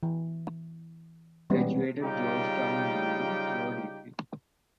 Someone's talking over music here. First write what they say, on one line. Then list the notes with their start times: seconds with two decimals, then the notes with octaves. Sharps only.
Graduated George Town U., Law Degree.
0.03 E3
1.50 E3 G3 G#3 B3 C#4
2.02 C#3 G3 D#4 F4 G4 G5